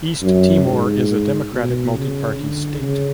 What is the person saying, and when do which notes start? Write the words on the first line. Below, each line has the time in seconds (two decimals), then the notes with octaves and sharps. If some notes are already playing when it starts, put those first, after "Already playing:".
East Timor is a democratic, multi-party state.
0.22 F#2
0.66 G#2
1.52 B2
1.96 C#3
2.38 D3
2.81 C#3